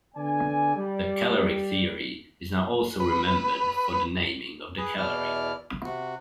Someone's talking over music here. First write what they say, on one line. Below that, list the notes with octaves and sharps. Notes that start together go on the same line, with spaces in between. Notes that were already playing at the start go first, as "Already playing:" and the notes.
The caloric theory is now also remembered for the naming of the calorie.
D3 B3 D5 G#5
G3
B4
G#4 B4
E2 B2 E4 D5 F6
C3 F#4